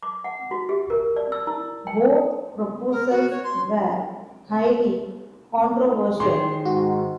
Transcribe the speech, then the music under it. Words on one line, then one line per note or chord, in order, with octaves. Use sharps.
Both proposals were highly controversial.
D6
F#5
F#4
G4
A#4
D5
E6
E4
G5
A#4
F#4
C#5
C6
D#3 G4 G#4 C6
G#2 F#4